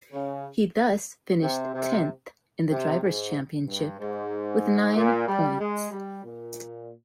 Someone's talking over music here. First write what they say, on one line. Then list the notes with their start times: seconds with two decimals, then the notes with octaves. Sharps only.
He thus finished tenth in the Drivers' Championship with nine points.
0.13 C#3
1.42 C3
1.74 C3
2.70 C3
3.02 G#2
3.66 G2
3.99 G#2
4.95 A#2
5.28 G3
5.60 G#3
5.92 G3
6.24 A#2